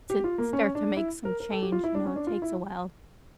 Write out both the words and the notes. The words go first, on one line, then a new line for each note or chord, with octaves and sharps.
to start to make some change, you know, it takes a while,
G4
F4
A#3
C#4
D4
E4
A#4
A#4
A4
G4
F4
E4
D4
C#4
D4
F4
E4